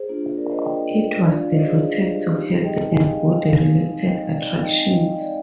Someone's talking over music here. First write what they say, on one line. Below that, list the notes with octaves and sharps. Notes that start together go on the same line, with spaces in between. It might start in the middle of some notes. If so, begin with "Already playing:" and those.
It was devoted to health and body related attractions.
Already playing: G#4 C5
A#3 D4 F4
A#4 D5
C5 D#5
D#5 G5
G#3 D4 F4 D5 F5
C5 D#5
G#4 C5
G#4
G4
G3 C4 D#4 G4
G#4
D#5 G5
F5 G#5
D#5 G5
D#5 G5
G#3 C4 D#4 F5 G#5
D#5 G5
D5 F5
G#3 C4 D#4 D#5 G5
F5 G#5
D#5 G5
D5 F5